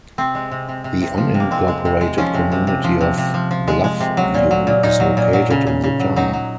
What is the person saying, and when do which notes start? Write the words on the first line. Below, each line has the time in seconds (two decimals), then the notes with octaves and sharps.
The unincorporated community of Bluffview is located in the town.
0.18 C3 C4
0.35 G#3
0.51 C3
0.69 C3
0.84 C3
1.02 C3
1.18 F3
1.34 C3
1.40 A#3
1.51 G#3 C4
1.68 G#3
1.85 C3
2.01 G#3
2.18 F3 C#4
2.34 C3
2.52 C3
2.67 C3
2.84 F3
3.01 C3
3.18 C3
3.34 F3
3.51 F3
3.68 G#3
3.84 G#3
4.00 C3
4.17 F#3
4.34 A#2
4.51 F#3
4.67 A#2
4.83 A#2 D#4
5.00 F#3
5.17 A#2
5.33 F#3
5.50 C#3
5.67 C#3
5.84 C#3
6.00 F#3
6.16 F#3 D#4
6.33 F#3